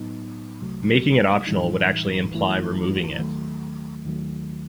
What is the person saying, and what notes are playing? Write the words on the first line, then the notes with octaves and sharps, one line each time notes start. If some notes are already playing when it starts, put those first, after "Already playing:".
Making it optional would actually imply removing it.
Already playing: A2 F#3 B3 D#4
C2 C3 F#3 A3
A2 E3 G3 D#4
G2 E3 A3 E4
D#2 D#3 F#3 A3
D#2 D#3 F#3 A3